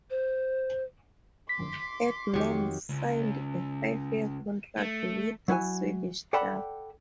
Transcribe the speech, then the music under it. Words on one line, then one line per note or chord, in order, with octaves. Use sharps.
Edman signed a five-year contract with the Swedish club.
C5
C6 D6 B6
F2 D#3 F#3 G4 C#6
C#2
A3
F#3 E4 F#4 G#5
A4 D5 F#5 G5 A5 B5